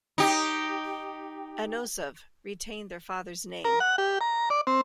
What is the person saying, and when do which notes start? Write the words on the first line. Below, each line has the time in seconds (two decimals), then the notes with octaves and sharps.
Anosov, retained their father's name.
0.18 D#4 G4
3.65 A#4
3.80 F#5
3.98 G4
4.21 A#5
4.50 D5
4.67 C4